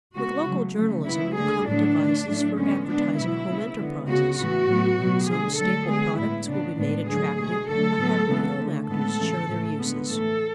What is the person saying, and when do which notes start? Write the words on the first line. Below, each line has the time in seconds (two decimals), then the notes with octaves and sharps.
With local journalism will come devices for advertising home enterprises. Some staple products will be made attractive by having film-actors show their uses.
0.16 C#3 G#3 B3 F#4
0.46 C#3 F#3 A3
0.77 C#3 F#3 A3
1.07 C#3 G#3 B3 E4
1.37 D3 A3 G#4
1.67 A2 F#3 B3 D4
1.97 D3 A3
2.27 A2 F#3 A3
2.57 D3 G#3 B3 C#4
2.87 D3 G#3 B3 D4
3.17 B2 F#3 B3 E4
3.48 C#3 G#3 B3
3.78 D3 G#3 B3
4.07 C#3 G#3 B3 F#4
4.37 A2 E3 B3 F#4
4.67 A2 F#3 B3
4.98 B2 F#3 B3
5.28 D3 A3 G#4
5.58 D3 F#3 A3 A4
5.88 D3 G#3 B3 G#4
6.18 A2 G#3 B3 E4
6.48 C#3 G#3 B3 D4
6.78 A2 G#3 B3 D4
7.08 D3 F#3 A3 G#4
7.38 B2 A3 G#4
7.68 D3 F#3 A3 A4
7.99 A2 F#3 B3
8.28 C#3 E3 G#3 B3
8.58 D3 A3
8.89 A2 G#3 B3 A4
9.18 C#3 E3 G#3
9.49 A2 E3 A3
9.79 D3 G#3 B3
10.09 A2 E3 A3 A4